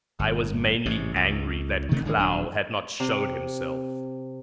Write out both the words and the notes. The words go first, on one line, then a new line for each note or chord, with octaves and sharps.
I was mainly angry that Klow had not showed himself.
G1
A1 G#2 C3
C#2
C3 D#3 A3 C4
G#1 D3 E3 G#3
D#1 F#3 D4
C3